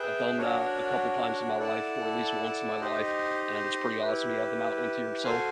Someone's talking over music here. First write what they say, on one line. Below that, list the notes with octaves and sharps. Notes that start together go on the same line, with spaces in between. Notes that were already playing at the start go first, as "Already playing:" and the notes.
I've done that a couple times in my life or at least once in my life, and it's pretty awesome. You have them out onto yourself.
Already playing: G#4 B4 E5 G5
D4 F#4 A#4 C#5 F#5
E4 A4 D5 F#5 A5
D#4 G4 C5 D#5
E4 G4 B4
F#4 A4 C5 F5 G#5